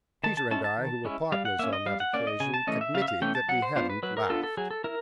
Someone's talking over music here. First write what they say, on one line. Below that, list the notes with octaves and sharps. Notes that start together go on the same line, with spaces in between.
Peter and I, who were partners on that occasion, admitted that we hadn't laughed.
D#3 A5
A5
G#3 C#4 E4 A5
A5
D#3
G#3 C#4 E4
G3 F5
F#5
A#3 C#4 E5
D#5
G3 F5
F#5
A#3 C#4 D5
D#5
C#3 G#5
A5
E3 A3 C#4 D#5
E5
C#3 F5
E5
F5
E3 A3 C#4 G5
A5
F#3 F#5
C5
B3 D4 F4 C5
B4
F#3 B4
A#4
B3 D4 F4 A4
A4
F#3 G#4
A4
E4 A#4